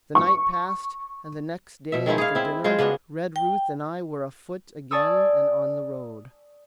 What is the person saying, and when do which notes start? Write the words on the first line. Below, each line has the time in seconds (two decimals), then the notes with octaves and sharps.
The night passed, and the next day, after dinner, Redruth and I were afoot again and on the road.
0.15 C#6
1.92 B2 E5
2.06 D#3 G#3 C#4 E4
2.18 G#4 C#5 F5
2.35 C4 E4
2.64 G#3 F4 G#4 C5
2.79 C#3 B3 D4 F#4
3.36 G5
4.91 D5 G#5 A5 C#6 D#6 E6